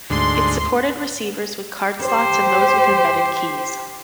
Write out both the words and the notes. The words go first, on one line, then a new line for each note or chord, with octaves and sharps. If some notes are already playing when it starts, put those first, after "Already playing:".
It supported receivers with card slots and those with embedded keys.
D2 G#2 D3 C6
G4 C5